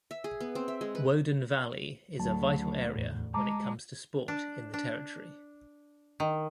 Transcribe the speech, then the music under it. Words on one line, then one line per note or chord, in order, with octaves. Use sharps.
Woden Valley is a vital area when it comes to sport in the Territory.
E5
G#4
B3
C4
E5
G#3
B4
D2 F#3 A5
E2 A2
G#3 A5 A#5 D6
D4
D4
D#3